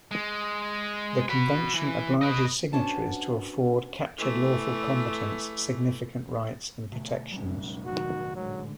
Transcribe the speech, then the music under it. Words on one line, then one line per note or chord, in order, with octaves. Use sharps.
The Convention obliges signatories to afford captured lawful combatants significant rights and protections.
G#3
F#4 B5
E3
B4 D#5
B3 C#4 D4 F#4 C5 A5
E3 A3
B2 D3 A3
F1 A#1 F#3 G3 C#4
G#1 D#3 F#3 F#4
A2 D3 F#3 G#3